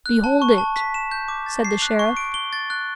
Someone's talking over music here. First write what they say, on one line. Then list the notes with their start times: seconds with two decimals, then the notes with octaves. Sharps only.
"Behold it," said the sheriff.
0.06 F#6
0.24 A5
0.42 C#6
0.58 A5
0.76 B6
0.94 E7
1.11 G6
1.28 D6
1.46 A6
1.65 C7
1.82 F#6
1.99 C#6
2.17 D7
2.34 G7
2.53 A6
2.70 F#6